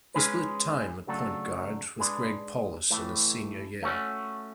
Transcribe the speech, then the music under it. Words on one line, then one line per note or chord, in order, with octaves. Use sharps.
He split time at point guard with Greg Paulus in his senior year.
G#3 C#4 G#4 B4
C#3 F#3 A3 D4 A4
G#3 D4 G#4 B4
A2 E3 A3
A3 C#4 F#4